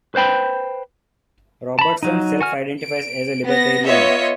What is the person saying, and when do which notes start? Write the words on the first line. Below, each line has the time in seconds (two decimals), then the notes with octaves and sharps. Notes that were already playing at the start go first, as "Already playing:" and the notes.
Robertson self-identifies as a libertarian.
0.15 B4 C5 G5 B5
1.79 A5 B5
2.03 F#3 D#4
2.41 F#4 G#5 F6
2.82 D7
3.46 B3 A#6
3.86 B3 F4 C#5 D#5 E5